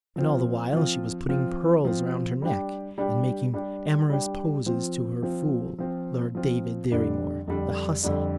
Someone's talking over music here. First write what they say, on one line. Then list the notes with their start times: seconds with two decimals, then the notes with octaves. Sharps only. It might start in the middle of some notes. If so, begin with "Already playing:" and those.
And all the while she was putting pearls round her neck, and making amorous poses to her fool, Lord David Dirry-Moir; the hussy!
0.16 F3 C4 F4
0.73 F3 C4 F4
1.29 F3 C4 F4
1.85 F3 C4 F4
2.42 G3 D4 G4
2.98 G3 D4 G4
3.54 G3 D4 G4
4.10 G3 D4 G4
4.66 F3 C4 F4
5.22 F3 C4 F4
5.79 F3 C4 F4
6.35 F3 C4 F4
6.92 F2 D3 G3 D4
7.48 F2 D3 G3 D4
8.03 F2 D3 G3 D4